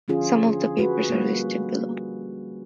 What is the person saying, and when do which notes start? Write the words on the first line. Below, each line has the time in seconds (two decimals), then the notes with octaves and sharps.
Some of the papers are listed below.
0.08 D3 F3 C#4 F4 G#4
0.48 G#4
0.79 F#4 G#4 B4
1.09 G3 A#3